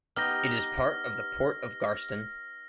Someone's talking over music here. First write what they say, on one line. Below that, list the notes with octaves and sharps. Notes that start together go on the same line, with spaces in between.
It is part of the Port of Garston.
B3 D#4 G4 F6 A#6